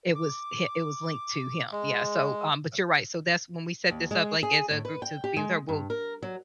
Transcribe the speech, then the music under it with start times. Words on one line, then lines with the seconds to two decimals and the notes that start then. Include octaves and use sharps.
it was hi it was linked to him. Yeah, so, um, but you're right. So that's when we set this up like as a group to be with her. Well,
0.15 D6
1.72 G#3
3.90 D#2
4.11 G#3
4.43 G#4
4.71 A2
4.85 B4
5.02 G5
5.24 G4
5.37 G#3
5.69 G2
5.90 A#4
6.22 F#3